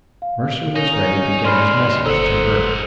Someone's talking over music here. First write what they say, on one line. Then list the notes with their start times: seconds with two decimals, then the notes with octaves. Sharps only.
Mercer was ready to get his message to her.
0.22 F5
0.76 C#4 D#4
1.45 D#2 D5 B5 C6 F6 C7
2.06 G1 D#4 A4 C5 F#5 E6 C#7